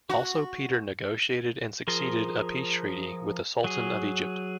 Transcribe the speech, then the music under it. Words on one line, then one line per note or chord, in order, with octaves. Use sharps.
Also Peter negotiated and succeeded a peace treaty with the Sultan of Egypt.
F#4
F3 G#4 A#4 C6
F#3 G#4